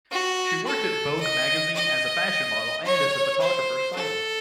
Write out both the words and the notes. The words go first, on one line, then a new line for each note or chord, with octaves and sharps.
She worked at "Vogue" magazine as a fashion model, and as a photographer's stylist.
F#4
A4
D#5
D#5
C#5
C5
A4